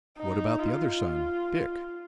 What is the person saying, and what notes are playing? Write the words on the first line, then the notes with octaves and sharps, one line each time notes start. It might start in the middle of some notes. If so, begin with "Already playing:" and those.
"What about the other son--Dick?"
D#4
F4